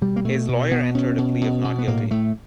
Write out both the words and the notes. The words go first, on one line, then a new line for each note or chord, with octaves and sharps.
His lawyer entered a plea of "not guilty".
B2 G3
A#3
B2 A3
B2
B2 B3
B2 C#4
B2
B2
B2
B3
A2 A#3
A2 A3